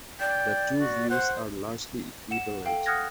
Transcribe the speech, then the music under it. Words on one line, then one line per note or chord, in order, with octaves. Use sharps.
The two views are largely equivalent.
D5 G5
F#4
C5 F#5
F#5 E7
A4 F5 G5
F#5 D#6 F6 F#6 G#6 A#6